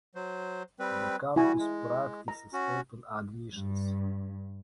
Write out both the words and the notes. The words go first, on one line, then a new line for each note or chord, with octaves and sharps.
The campus practices open admissions.
F#3 C5
G3 C4 B4
G3 E4 F#4 G#5
G#3
A#5
C#4 F#4
G2